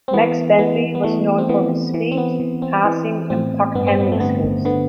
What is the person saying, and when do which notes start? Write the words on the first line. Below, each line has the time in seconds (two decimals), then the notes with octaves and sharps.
Max Bentley was known for his speed, passing and puck handling skills.
0.08 C4
0.13 E3 B3
0.59 E3 B3
0.95 B3
1.03 E3 A3
1.38 C4
1.49 E3 B3
1.94 E3
2.12 C4
2.17 B3
2.40 E3
2.62 C4
2.85 E3
3.30 A2 C4
3.75 G2 B3
3.87 C4
4.00 B3
4.12 A3
4.20 D3 B3
4.65 D3 B3